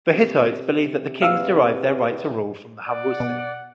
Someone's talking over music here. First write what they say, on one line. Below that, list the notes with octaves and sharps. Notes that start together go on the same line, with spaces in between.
The Hittites believed that the kings derived their right to rule from Hanwasuit.
C3
E2 F5 E6
D5 F#5
B2